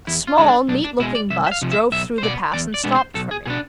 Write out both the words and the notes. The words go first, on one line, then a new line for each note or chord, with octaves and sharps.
A small, neat-looking bus drove through the pass and stopped for me.
E2 E4
F4
D3 G#3 D4
D4
B1 D4
D4
B2 G#3 E4
D5
C2 E5
E5
F5
C3 F3
E5
B1 E5
C5
B2 B3 D5
E2 D5
D5
B2 G#3 B3 D4
C5
B1 A4
G#4
B2 B3 D4 G#4